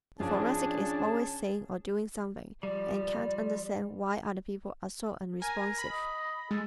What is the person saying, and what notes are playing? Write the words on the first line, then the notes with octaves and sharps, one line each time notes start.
The Thoracic is always saying or doing something and can't understand why other people are so unresponsive.
G#2 F3 C#4 D4 F4 G#4 A5
F3 G3 D5
A#4 G#5
B5
D#5
G#3 A4